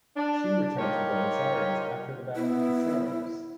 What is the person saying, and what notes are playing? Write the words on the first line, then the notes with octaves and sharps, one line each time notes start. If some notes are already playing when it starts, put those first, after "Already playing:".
She returned to Buenos Aires after the Battle of Caseros.
D4
D#4 F4 G4 A#4 C#5
B3 E4